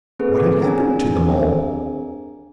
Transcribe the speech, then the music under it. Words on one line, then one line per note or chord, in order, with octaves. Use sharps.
What had happened to them all?
A#3 C4 G#4 A4 B4
D6
C4 D4 G#4 A#4 G#5 A#5